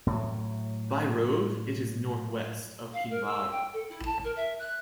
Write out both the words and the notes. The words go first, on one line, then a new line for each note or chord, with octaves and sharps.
By road it is northwest of Kinvarra.
A2 F#3
F5
A#4
E6
G5
A4
E4
A5
A#4
E5
F#6